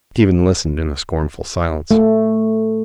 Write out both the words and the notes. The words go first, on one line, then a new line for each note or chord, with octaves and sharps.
Stephen listened in scornful silence.
A3